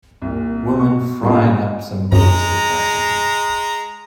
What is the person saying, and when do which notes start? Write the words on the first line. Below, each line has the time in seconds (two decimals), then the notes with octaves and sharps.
Woman frying up some goods at a festival.
0.22 C2 A#2
0.78 F#4 C#6
1.23 A#1 F#2 A2 C#3 G3 A#3 F4
2.12 F#2 G#3 A#5